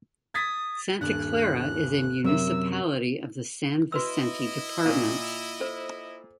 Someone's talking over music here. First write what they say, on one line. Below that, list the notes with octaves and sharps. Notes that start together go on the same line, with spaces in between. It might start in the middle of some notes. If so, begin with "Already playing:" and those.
Santa Clara is a municipality of the San Vicente Department.
D#6 G#6 A6 B6
D#1 G2 F#6
F#2 C3 A#4 E5 E6
E4 F#4 B4 D#5 E6
A#2 F5
A4 C5